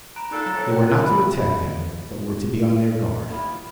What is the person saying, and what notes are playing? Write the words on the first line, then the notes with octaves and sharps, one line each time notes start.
They were not to attack them, but were to be on their guard.
A#5 B5 F#6 D7
A#2 D3 D#4 A4
F#3 A#5
C5 C#5
F#5 G5 F#6
D3 E3 C4 G4 A4 B4
D#3 B3 E4 F4 G4